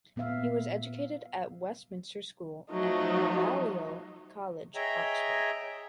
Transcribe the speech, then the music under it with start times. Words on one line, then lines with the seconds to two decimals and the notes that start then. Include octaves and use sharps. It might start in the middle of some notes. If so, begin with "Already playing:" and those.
He was educated at Westminster School and Balliol College, Oxford.
0.16 A#2 B3 B4 E5 F5
2.70 F3 F#3 A3 D#4
4.75 G#4 C#5 D#5 E5 G5 A#5